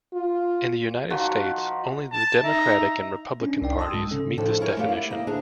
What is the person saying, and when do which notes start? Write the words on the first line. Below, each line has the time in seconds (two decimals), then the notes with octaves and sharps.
In the United States, only the Democratic and Republican parties meet this definition.
0.13 F4
1.10 D#3 F3 F#4
2.12 A5
2.44 D#4 E5 A#5
3.42 C#4 D4
3.62 C2 D#4 D5 G5
3.79 A5 C6 D#6 E6
3.94 G#2 G#3
4.11 C#3 C#4 A4
4.37 A2 D#3 F3 D4 A4
4.60 E4 F4 G#4 A#4 C5 C#5
4.77 A3 B3 G4 F5
4.89 E4
5.10 A#3 G4 D#5
5.27 D2 D4 G#4 E5 A#5